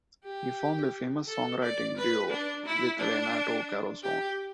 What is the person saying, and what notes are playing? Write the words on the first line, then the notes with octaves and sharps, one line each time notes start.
He formed a famous songwriting duo with Renato Carosone.
G4
A4
D5
B4
D4
E4
D4
G4